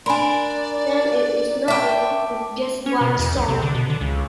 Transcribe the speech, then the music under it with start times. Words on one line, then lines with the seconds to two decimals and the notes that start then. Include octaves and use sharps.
Then it is not enough with just one song.
0.06 D4 A#4 D5 G#5 B5 C6
1.68 E5 G5 A5 D6
2.86 C#4
3.01 B2
3.19 E2
3.36 B1
3.48 C3
3.62 D3
3.75 B2
3.90 D3
4.01 C#2